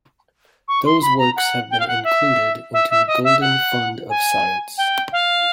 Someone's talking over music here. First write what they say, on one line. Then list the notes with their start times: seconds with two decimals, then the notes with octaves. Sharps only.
Those works have been included into the golden fund of science.
0.68 C#6
0.85 C6
1.02 B5
1.18 A#5
1.36 F#5
1.70 G5
1.80 F5
1.88 F#5
2.04 E5
2.73 E5
2.90 E5
3.07 D#5
3.24 E5
3.41 F#5
4.10 G#5
4.78 G5
5.12 F5